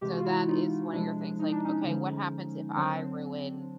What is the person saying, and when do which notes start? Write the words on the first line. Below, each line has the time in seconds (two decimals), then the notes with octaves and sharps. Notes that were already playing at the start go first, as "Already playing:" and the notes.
So that is one of your things, like, "Okay, what happens if I ruin"
0.01 C3 E3 G#3 G4
0.09 F#4
0.18 F4
0.25 E4 F#4
0.48 D#4 F4
0.93 C3 F3 G#3 D4 E4
1.39 D#4
1.52 D4
1.65 C#4 D#4
1.84 D3 F3 G#3
2.75 D3 F#3 C4 D4